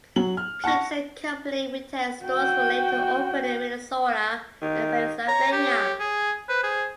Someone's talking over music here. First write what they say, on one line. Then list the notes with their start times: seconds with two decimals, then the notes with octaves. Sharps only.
Peeps and Company retail stores were later opened in Minnesota, and Pennsylvania.
0.16 F#3 F#7
0.37 F6
0.64 F#5 A5 C#6 A#6
2.24 F#4 G5
4.62 D#3
5.28 C#5 A#5
5.52 G4
6.00 G#4
6.49 B4 C5
6.63 G#4